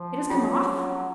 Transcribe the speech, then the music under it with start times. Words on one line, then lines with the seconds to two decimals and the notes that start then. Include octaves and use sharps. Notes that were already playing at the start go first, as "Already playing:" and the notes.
"It has come off?"
Already playing: F3
0.29 F#3 C#4 F4 G#4